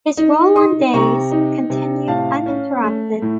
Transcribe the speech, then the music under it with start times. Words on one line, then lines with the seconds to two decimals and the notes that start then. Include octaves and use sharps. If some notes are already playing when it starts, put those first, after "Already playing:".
His role on "Days" continued uninterrupted.
0.17 D#4
0.55 D#4 C6 D#6
0.93 C3 A#5 C#6
1.31 D#4
1.70 C3
2.08 A2 F5 A5
2.46 C#4
2.84 A3
3.22 A2